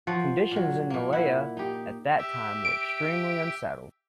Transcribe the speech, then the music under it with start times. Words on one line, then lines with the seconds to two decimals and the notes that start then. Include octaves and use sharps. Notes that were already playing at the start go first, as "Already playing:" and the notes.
Conditions in Malaya at that time were extremely unsettled.
0.07 F3 C#5 F#5
0.52 A#2 F#3
0.90 A#2 A#3
1.12 E4 F#5
1.57 D#4 G4
2.18 G4 E5
2.65 D7